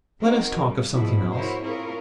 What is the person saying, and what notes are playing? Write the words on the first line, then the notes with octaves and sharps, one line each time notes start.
Let us talk of something else.'
C4 D#4 F#4 A#4
C#3 G3
G#2 B2 F3 G3 G#3 E4
E4 F#4 A#4 C5 C#5
C4 E4 F4 G#4 A#4 C#5